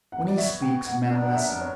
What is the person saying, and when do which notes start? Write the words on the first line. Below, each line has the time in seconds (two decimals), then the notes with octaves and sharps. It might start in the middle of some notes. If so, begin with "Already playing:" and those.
When he speaks, men listen.
0.12 F#5
0.28 D5
0.37 B3 F#4 C#5 E5
0.62 G5
0.86 F#5
1.11 F#3 B3 D4 A#4 D5
1.26 F#5
1.36 E5
1.61 C#5